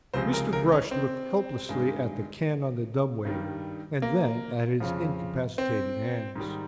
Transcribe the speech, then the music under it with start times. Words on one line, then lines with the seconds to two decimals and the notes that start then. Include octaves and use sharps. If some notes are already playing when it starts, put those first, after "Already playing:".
Mr. Brush looked helplessly at the can on the dumb-waiter and then at his incapacitated hands.
0.14 C#2 C3 F3 G#3 C5
0.33 A#4
0.53 A#4
0.72 C#4
0.91 C4
1.69 G2 D#3 G#3
3.25 G2 D#3 G3
4.02 A#3
4.80 F2 C#3 F3
5.58 C4
6.36 G#2 D#3 G3